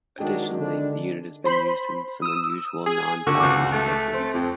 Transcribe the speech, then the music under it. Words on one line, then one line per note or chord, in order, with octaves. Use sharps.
Additionally, the unit has been used in some unusual non-passenger workings.
D#3 F#3 G#3 D4 G5
D3 D4
C5 B5 C6
D#6 E6
G#4
D3 F#4
C#2 D6
A3
C4
F2